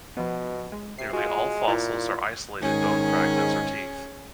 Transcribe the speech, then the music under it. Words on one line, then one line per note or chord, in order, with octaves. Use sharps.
Nearly all fossils are isolated bone fragments or teeth.
B2 F3 B3
G#3
C3 C7
G#3 F4 F#4
A#2 E4 F4
G#2 D#3 C#4 G#4